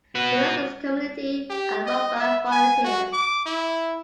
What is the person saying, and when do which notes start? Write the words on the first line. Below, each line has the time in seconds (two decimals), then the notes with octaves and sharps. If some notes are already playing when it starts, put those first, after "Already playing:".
The Residents' Committee are run by volunteers.
0.15 F#4 B4
1.50 G4
1.86 D#5
2.20 E5
2.51 G#5
2.84 F#4
3.13 D6
3.46 E4